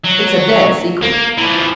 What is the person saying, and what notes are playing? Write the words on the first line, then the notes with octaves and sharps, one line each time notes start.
It's a dead secret.
F#3
A#3
E3 F3